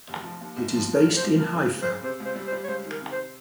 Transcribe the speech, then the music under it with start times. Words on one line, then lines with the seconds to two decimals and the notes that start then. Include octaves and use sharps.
It is based in Haifa.
0.09 F1
0.24 F3
0.41 D#2
0.56 F1
0.73 F3
0.89 F3
0.94 A#4
1.06 F1
1.16 C5
1.22 F1
1.38 F3 A#4
1.55 C#3
1.71 C#3
1.82 C5
1.88 C#3
2.03 C3 C5
2.20 C#2 C5
2.35 G3
2.47 C5
2.52 G3
2.64 C#5
2.68 C#2 C5
2.85 D#3
2.91 A#4
3.01 C3
3.12 C5